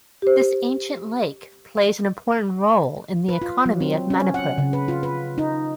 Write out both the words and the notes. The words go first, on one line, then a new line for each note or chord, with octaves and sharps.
This ancient lake plays an important role in the economy of Manipur.
G4 C5
B4
F4
F#3
C4
C#4
F#5
C#3
B4
F4
B4
D#4